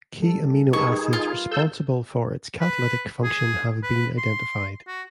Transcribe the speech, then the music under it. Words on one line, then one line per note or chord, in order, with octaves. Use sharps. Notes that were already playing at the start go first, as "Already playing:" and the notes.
Key amino acids responsible for its catalytic function have been identified.
G3 A4
D#4 G4 G#4 A#4 B4 C#6
F4
A4 E6 G6
B4
G#4
B4
C6
F#4